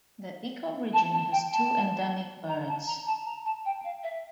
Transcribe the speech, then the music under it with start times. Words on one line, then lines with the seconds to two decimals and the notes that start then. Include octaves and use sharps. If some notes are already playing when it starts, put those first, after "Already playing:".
The ecoregion has two endemic birds.
0.93 A5
1.13 A5
1.32 G5
1.52 A5
2.48 A#5
2.69 A5
2.87 A#5
3.07 A5
3.25 A#5
3.45 A5
3.65 G5
3.84 F5
4.03 E5